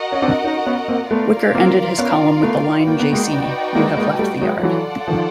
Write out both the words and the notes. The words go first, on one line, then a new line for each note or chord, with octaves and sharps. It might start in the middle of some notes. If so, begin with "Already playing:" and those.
Whicker ended his column with the line Jaycee, you have left the yard.
Already playing: F#4 A#4 D#5 F#5
C#4
C4 D4
C#4 D#4
B3 C#4
A#3 C4
A3 B3 F4 A#4 D5 F5
A#3 C4
B3 C#4
A3 B3
A#3 D#4 F#4 B4 D5 G5
B3
G#3 A#3
G#3 A#3
G#3 A#3
G3 A3
F#3 G#3
F3
E3 F#3 F4 A4 D5 F#5
D#3 F3